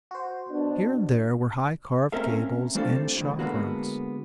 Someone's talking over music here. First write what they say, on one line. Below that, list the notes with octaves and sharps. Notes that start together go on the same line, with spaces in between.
Here and there were high carved gables and shop-fronts.
F#4 C5
B2 D4
A3 C4 C#4 A#4 E5 F5
G3 A3 C4 D4 F4 A4
A2 D#3
D3 F3 G#3 A#3 B3 F#4